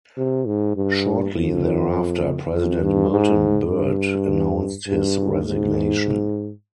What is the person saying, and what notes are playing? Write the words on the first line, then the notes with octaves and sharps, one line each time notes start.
Shortly thereafter, President Milton Byrd announced his resignation.
C3
G#2
G2
F2
F2
G2
G#2
G2
G2
G#2